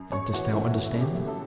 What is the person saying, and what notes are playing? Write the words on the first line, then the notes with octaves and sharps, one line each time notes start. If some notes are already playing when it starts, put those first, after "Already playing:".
"And dost thou understand them?"
Already playing: F#2
F#2 C#5 C#6
E3 F#4 F#5
A3 E4 E5
E3 F#4
F#2
G4
A3
A3 A4